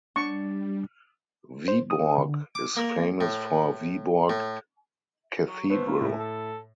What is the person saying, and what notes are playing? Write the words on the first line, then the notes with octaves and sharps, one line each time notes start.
Viborg is famous for Viborg Cathedral.
G3 D4 C#6
C5
D#6
D3
D6
A#3
A2
A2
F#3
A3 B3 C5
A#3
A2 E4
A4